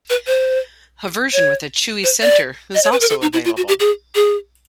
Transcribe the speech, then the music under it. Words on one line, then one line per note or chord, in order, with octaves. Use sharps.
A version with a chewy centre is also available.
B4
C5
C#5
C5
D5
D#5
C#5
B4
A#4
A4
D#4
E4
F4
F#4
G4
G#4
G#4